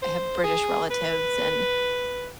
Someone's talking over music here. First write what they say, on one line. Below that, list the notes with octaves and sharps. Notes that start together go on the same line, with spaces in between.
I have British relatives, and
C5
G#4
B4